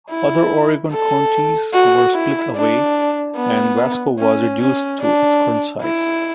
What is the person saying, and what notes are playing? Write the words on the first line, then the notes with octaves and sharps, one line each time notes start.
Other Oregon counties were split away, and Wasco was reduced to its current size.
E4
A4
F#4
E4
D4
B3
C#4
C#4
D4
E4